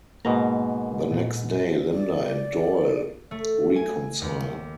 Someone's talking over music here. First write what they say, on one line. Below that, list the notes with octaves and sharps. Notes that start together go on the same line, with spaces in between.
The next day, Linda and Doyle reconcile.
G#2 B2 A#3 A#5
A#2
D5
A3
G#5
D#2